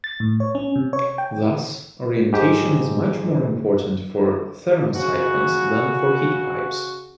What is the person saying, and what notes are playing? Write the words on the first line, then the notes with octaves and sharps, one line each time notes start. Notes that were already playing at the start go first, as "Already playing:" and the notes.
Thus, orientation is much more important for thermosiphons than for heatpipes.
A6
A2
C#5
C#4
C3
C#5
G5
G#2 G4 G5
C#3 F#4